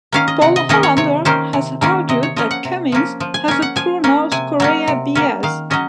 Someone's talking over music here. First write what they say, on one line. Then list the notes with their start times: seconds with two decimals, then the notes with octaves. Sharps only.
Paul Hollander has argued that Cumings' has a pro-North Korea bias.
0.12 D#3 A#3 C#4 F5
0.28 D#5
0.41 C3 F#5
0.56 D#5
0.69 D#3 A#3 C#4 D#5
0.83 C#5
0.97 C3 C#5
1.25 D#3 A#3 C#4 C5
1.53 C3
1.82 D#3 A#3 C#4
2.09 C3 D#5
2.23 C#5
2.36 F3 A#3 C#4 D#5
2.51 F#5
2.65 C3
2.92 F3 A#3 C#4
3.20 F3
3.34 G#5
3.48 A#3 C#4 G#5
3.62 F#5
3.76 F3 G#5
4.04 A#3 C#4
4.32 C3 G#5
4.60 F#3 A#3 C#4
4.88 C3
5.15 F#3 A#3 C#4
5.43 D#3 F5
5.71 F#3 C#4 D#5